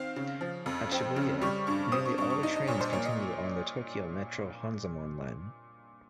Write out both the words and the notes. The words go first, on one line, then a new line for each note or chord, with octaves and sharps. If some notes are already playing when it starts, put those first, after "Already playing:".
At Shibuya, nearly all the trains continue on the Tokyo Metro Hanzomon Line.
Already playing: D#3 C4 F5
C#3
F3
F2
C4 G5
C#3
G3 C#6
G2 C#6
C4 D#6
C#6
G2 C#6
C#6
D#4
D#5
A#2 C#5
C5
A#3 C#5
D#5